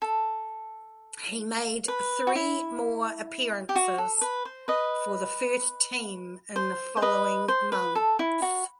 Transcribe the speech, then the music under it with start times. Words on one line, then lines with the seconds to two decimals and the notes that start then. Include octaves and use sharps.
He made three more appearances for the first team in the following months.
0.02 A4
1.88 B4
2.27 F#4
2.35 E4
3.69 G4
3.76 F#4
3.98 A4
4.21 B4
4.45 C5
4.68 B4 D#5
6.56 C5
6.97 C5
7.02 B4 D#5
7.48 C5
7.72 B4
7.95 A4
8.19 E4
8.42 F#4